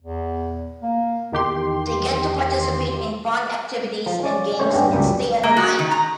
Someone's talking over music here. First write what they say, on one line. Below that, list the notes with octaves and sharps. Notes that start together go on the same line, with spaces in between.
They get to participate in fun activities and games and stay overnight.
E2
A#3
E2 D#3 G4 C6
F3
C#4 D5
A3 C#4 C5 C#5
G2 B3 C#4 D4 G4
C#2 F#2 G3 G4
A#3
F#4
D#3
A#5